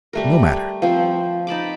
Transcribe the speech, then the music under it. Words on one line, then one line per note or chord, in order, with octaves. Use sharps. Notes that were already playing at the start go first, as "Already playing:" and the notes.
No matter!
G3 A3 A#4
F3 C4
D#4 A5 B5 D6